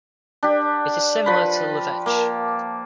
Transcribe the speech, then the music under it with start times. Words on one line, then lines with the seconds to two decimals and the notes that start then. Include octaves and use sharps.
It is similar to the Leveche.
0.43 D4 G4
1.26 F3 B4 B5
2.06 A#3